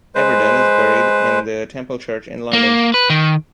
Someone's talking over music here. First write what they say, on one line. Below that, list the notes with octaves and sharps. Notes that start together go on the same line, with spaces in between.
Everdon is buried in the Temple Church in London.
G#3 B4 C5
A#3
B4
D#3